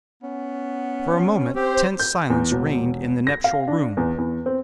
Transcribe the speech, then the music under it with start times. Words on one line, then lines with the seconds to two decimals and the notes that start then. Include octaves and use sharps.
For a moment tense silence reigned in the nuptial-room.
0.23 B3 C#4
1.56 C4 G4 C5
1.99 G6
2.30 E2
2.52 E1
3.27 A#6
3.44 F5
3.68 D4
3.97 E2
4.18 E2
4.46 C4